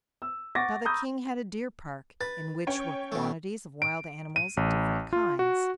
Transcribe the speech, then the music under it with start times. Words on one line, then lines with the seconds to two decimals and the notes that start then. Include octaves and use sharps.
Now the King had a deer park in which were quantities of wild animals of different kinds.
0.22 E6
0.55 F#5 C#6 D6 A6 A#6
0.85 A#5 B5 C#6 D#6 E6 G6
2.21 B4 A6
2.67 C#4 C#5 G5
3.12 B2 A3
3.82 D7
4.36 D#7
4.57 A1
5.13 F4
5.39 F#4